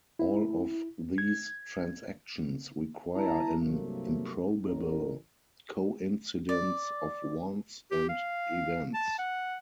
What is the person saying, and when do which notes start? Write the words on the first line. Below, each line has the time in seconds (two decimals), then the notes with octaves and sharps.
All of these transactions require an improbable coincidence of wants and events.
0.19 E4
1.18 G#6
3.15 G1 E4 A5 A#5
3.62 C2 G2 C3 F#3 A3 A#3
4.65 A1 A#4
6.49 D5
7.91 G4
8.09 F5
8.94 A5
9.18 F#5